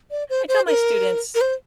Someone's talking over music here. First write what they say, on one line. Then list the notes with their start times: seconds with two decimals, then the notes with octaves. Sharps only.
I tell my students,
0.11 D5
0.30 C5
0.48 C5
0.67 A#4
1.35 A#4
1.41 C5